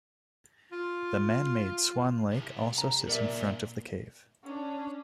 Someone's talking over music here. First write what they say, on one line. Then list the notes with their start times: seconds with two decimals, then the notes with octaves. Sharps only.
The manmade Swan Lake also sits in front of the cave.
0.72 F4
2.32 C2
2.78 A#5
3.07 B1 A#2 A#4 D5 E5
4.44 C#4 D4